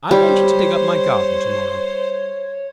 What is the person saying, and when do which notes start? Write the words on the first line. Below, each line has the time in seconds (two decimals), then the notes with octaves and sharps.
'I want you to dig up my garden to-morrow.'
0.11 G3 C5 C#5